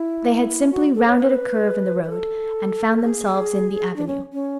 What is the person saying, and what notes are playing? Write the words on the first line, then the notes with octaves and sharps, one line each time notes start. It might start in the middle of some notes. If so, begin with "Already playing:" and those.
They had simply rounded a curve in the road and found themselves in the "Avenue."
Already playing: E4
F#4
A4
C#5
B4
B4
A4
G#4
D4
C#4
C#4